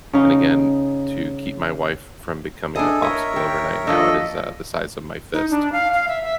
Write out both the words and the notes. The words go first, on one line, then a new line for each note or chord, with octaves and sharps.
And again, to keep my wife from becoming a popsicle overnight, now, it is, uh, the size of my fist,
C#3 D#4
D4 E4 G#4 A4 D#5
A#4 C#5 D#5 E5
D#3 G5
F3 D4 A4 D#5
D#4
D4
F5
F5
E5
E5